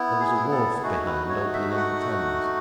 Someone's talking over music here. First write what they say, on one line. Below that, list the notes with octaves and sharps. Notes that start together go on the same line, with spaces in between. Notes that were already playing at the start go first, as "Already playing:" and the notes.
There was a wharf behind, opening on the Thames.
Already playing: B3 E4
G#4
A4
A3 D#4 F#4 G#4
B4
C#5
E5
F#5